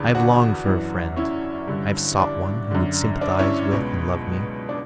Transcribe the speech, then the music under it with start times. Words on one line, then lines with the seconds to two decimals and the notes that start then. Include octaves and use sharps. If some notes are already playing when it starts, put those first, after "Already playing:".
I have longed for a friend; I have sought one who would sympathize with and love me.
Already playing: E2 D3 D4
0.15 D4 F#4
0.65 F#2 E3
1.16 C#4 E4
1.67 G2 D3
2.19 D4
2.71 F#2 D3
3.21 D4
3.39 C#4 E4
3.72 C#2 B2
4.69 D4